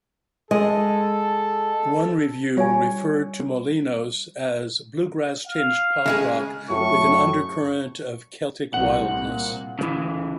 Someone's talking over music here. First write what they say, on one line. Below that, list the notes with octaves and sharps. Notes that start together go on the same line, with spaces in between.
One review referred to "Molinos" as "bluegrass-tinged pop-rock" with an "undercurrent of Celtic wildness".
G#3 A4 D#5
G3 F4 C#5 G#5
F5
C#3 G#3 G#4
F#2 A2 C#6
C2 A2 F#5
A#2
D2 C#3 E3